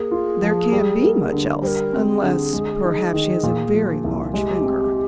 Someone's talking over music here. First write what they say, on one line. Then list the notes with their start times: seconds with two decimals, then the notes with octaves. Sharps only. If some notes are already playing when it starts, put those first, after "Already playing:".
"There can't be much else--unless perhaps she has a very large finger."
Already playing: A#3 G#4
0.11 F4
0.42 F3
0.72 G3
1.02 A#3
1.32 D3
1.62 G3 C5
1.67 A#4
1.93 C4
2.07 G#4
2.23 D3
2.53 G#3
2.84 D#4
3.14 D#3
3.43 A#2
3.74 F3
4.04 C2
4.34 G#3 G4
4.64 C4